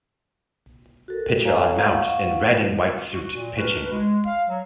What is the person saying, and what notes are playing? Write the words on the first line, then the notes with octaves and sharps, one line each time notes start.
Pitcher on mount, in red and white suite, pitching.
F#4 A4 A#4
A4 C#5 F5 G#5 A#5
F5 F#5 C#6
F#4
A#2
D4 D#4 F#4 A#4 B4
G#3
F5
F#3